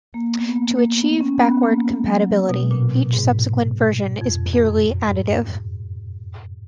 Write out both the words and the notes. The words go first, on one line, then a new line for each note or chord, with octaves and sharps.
To achieve backward compatibility, each subsequent version is purely additive.
A#3
B3
B3
A#3
A#3
B3
C#4
B3
A#3
F#3
B2
A#2
G#2
F2
F2
F#2
G#2